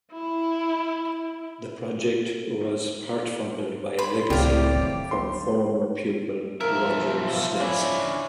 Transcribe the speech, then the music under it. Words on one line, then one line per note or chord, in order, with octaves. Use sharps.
The project was part-funded by a legacy from former pupil Roger Snelson.
E4
B5 C6
C#2 A2 C3 G4 D5 F5
D#3
C6
B1 F3 A#4 E5
C#4 D4 E4